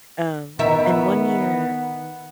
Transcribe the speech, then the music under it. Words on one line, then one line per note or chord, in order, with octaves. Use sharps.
Um, and one year,
D#3 B3 A#4 E5